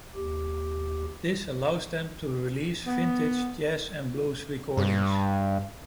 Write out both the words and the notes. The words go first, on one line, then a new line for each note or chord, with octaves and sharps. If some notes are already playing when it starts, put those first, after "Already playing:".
This allowed them to release vintage jazz and blues recordings.
D#2 G4
B3
G2